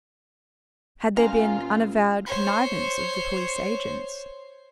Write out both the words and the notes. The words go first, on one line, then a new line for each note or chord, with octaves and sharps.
Had there been unavowed connivance of the police agents?
A#2 C#4 F4 G#5 A#5
C5 C#5